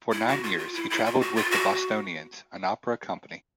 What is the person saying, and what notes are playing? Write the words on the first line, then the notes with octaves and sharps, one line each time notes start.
For nine years, he traveled with the Bostonians, an opera company.
E4
F#4
F4
F4
E4
E4
F4
F#4
F4
F#4